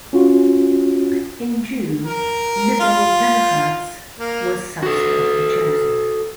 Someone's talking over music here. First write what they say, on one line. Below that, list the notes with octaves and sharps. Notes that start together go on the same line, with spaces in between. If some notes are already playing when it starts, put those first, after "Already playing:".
In June "Liberal Democrats" was subsequently chosen.
C#4 F4 F#4
A#4
F4
A#3
F#4 A4